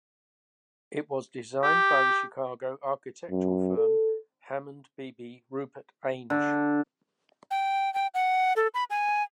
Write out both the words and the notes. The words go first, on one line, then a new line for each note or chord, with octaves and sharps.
It was designed by the Chicago architectural firm Hammond Beeby Rupert Ainge.
G4
F#2
A4
D3
G5
G5
F#5
A4
B5
G#5